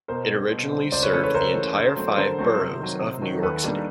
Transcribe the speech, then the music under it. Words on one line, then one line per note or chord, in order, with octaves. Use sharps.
It originally served the entire five boroughs of New York City.
B2 A#4 C5
G3 C4
B2
G3 C4
C#2 C5 D5
B4 C#5
C#3 E3 A3 A4 B4
B4 C#5
C#2 A#4 C5
C#3 E3 A3
D3
F#3 A3 C4
D3 A#4 C5
F#3 A3 C4
C3
D#3 F#3
C3
D#3 F#3
D#2 A4 B4
D#3 G3 A#3 D4